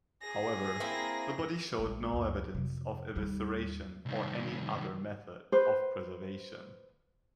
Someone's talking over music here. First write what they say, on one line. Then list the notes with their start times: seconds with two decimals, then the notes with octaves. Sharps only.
However, the body showed no evidence of evisceration or any other method of preservation.
0.23 G#4 A#6
0.80 A#3 C4 E4
1.79 A#1 G#3
2.13 C#2 F#2
2.54 F2 C3
3.15 D#2 G3
4.06 C2 D#3
5.52 B4 C5